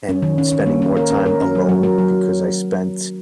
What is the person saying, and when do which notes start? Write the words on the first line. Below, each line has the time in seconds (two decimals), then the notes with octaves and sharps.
and spending more time alone because I spent
0.09 C#4
0.22 D#3
0.38 C#4
0.52 C#4
0.66 A#3
0.82 C#4
0.97 A#4
1.11 C#4
1.26 A#4
1.41 C#4
1.55 F#3
1.69 F#3
1.83 A#4
1.98 F#3